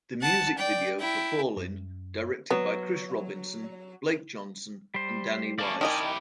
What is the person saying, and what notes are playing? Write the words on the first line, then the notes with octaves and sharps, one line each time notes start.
The music video for "Fallin'", directed by Chris Robinson, Blake Johnson and Danny Wise.
F#5 A5
D5 G5
E4 G5
F#2
F#3 B3
G3 C5
A#3 C#4 D5 A5
D#3 E4 G4 D#5 G#5